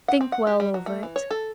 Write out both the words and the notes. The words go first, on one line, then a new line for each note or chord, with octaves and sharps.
Think well over it.
F#5
C4
F#5
G4
G3
F#3
A3
E3
C#5
A4